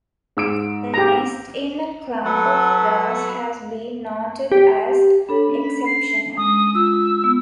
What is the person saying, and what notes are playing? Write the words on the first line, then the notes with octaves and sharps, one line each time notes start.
A nest in a clump of grass has been noted as exceptional.
G#2 E6 D7
G4 A#5
F#3 A4 B4 F#5
G4
D4 A4 C#5 B5
A#3 C#4
C7
G#3 D#6
F4 E6
B3